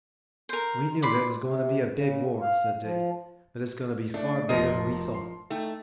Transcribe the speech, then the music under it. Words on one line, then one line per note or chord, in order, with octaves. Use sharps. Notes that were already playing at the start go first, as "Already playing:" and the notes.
"We knew that it was going to be a big war," said Dick, "but it's going to be far bigger than we thought."
A#4 C5
D5 B5 C6
C3
C#3
F5
F3
A3 D4 A4 D5
F1 F3 A#4 D#5 C7
C6
A3 D#4 G5